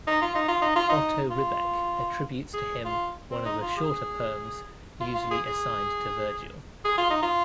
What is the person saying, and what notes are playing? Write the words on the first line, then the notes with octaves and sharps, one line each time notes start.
Otto Ribbeck attributes to him one of the shorter poems usually assigned to Virgil.
D#4
F4
D#4
F4
D#4
F4
D#4
F4
G#4
F4
C4
D#4
F4
G#4
F4
F4
G#4
G#4
G#4
F4
D#4
F4